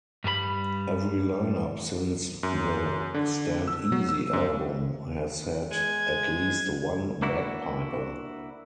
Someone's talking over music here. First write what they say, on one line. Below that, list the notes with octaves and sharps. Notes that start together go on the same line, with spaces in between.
Every line-up since the "Stand Easy" album has had at least one bagpiper.
G2 G3 A#4 B5
F#2
D3
E6
F#3
E6
F#2
G#3 G#6
A#3 D4 E4 F#4